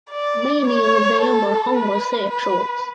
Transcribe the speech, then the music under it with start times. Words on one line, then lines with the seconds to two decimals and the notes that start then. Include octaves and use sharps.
Many of them were homosexuals.
0.11 D5
0.67 C#5
1.21 A4
1.76 B4
2.31 B4